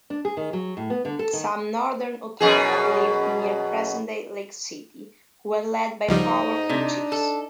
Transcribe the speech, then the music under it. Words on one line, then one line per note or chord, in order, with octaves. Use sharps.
Some northern Utina lived near present-day Lake City who were led by powerful chiefs.
D4
G#4
D#3
F#3
A2
B3
D3
A4
D#3
F#2 B2 G#4
C#2 G#2 F3 G3 D#4
C3 D4
A4